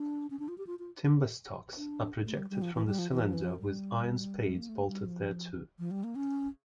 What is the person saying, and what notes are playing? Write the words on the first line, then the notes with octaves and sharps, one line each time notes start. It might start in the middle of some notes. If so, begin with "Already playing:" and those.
Timber stocks are projected from the cylinder with iron spades bolted thereto.
Already playing: D4
C#4
D4
F4
G4
F4
F4
D4
A3
G3
G3
F3
E3
G3
F3
E3
F3
E3
F3
G3
A#3
A3
G3
F3
F3
G3
A#3
C#4